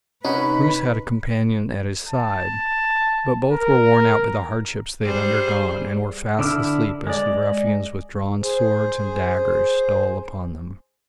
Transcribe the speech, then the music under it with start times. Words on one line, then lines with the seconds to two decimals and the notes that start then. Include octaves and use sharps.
Bruce had a companion at his side, but both were worn out by the hardships they had undergone and were fast asleep as the ruffians with drawn swords and daggers stole upon them.
0.25 C3 C#4 D#4 B4 F#5 B5
2.08 A5
3.51 A#4
5.03 G3 G#4 C5
6.39 D3 E4 E6 F6
7.07 G#3 D5
8.43 G#4 C5